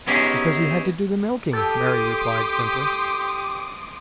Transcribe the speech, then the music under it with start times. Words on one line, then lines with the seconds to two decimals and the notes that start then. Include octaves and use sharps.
"Because he had to do the milking," Mary replied simply.
0.07 B3 C#4 D#4 E4 G4 G#4
1.53 G4 A4 C6 D6 D#6